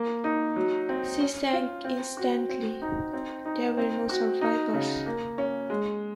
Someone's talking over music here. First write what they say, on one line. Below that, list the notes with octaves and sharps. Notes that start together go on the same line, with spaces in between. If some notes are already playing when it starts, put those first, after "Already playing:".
She sank instantly; there were no survivors.
Already playing: A#3
D#4
F#3
C4
C#4
F4
C4
F#4
C4
D#4
C4
D#4
C4
F#4
D#4
C#3
A#3
C#4
G#3